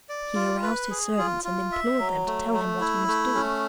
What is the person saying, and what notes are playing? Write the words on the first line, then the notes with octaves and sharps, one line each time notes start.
He aroused his servants and implored them to tell him what he must do.
D5
F4
B4
G#4
F4
F4
E5
F#3
A3
A3
E4
A3
C#4